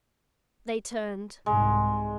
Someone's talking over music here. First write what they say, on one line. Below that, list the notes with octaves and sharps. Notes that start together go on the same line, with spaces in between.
They turned.
C2 G#2 G#3